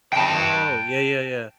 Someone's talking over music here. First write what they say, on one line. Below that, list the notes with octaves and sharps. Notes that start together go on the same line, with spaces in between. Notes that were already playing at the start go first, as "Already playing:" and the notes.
Oh, yeah, yeah, yeah.
G5 A5